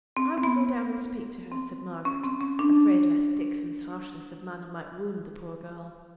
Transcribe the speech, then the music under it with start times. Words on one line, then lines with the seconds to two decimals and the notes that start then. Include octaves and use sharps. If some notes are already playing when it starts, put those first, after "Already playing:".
'I will go down and speak to her,' said Margaret, afraid lest Dixon's harshness of manner might wound the poor girl.
0.17 C4
0.37 C4
0.43 B3
1.52 C4
2.05 C#4
2.24 C4
2.41 C#4
2.59 D4